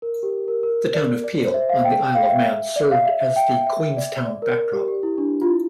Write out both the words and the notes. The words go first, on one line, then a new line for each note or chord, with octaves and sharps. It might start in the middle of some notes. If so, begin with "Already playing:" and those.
The town of Peel on the Isle of Man served as the Queenstown backdrop.
A#4
G4
A#4
A#4
D5
D5
C5
E5
F5
G5
F5
E5
D5
F5
E5
E5
G5
E5
D5
D5
A#4
G4
G4
E4
D4
F4
E4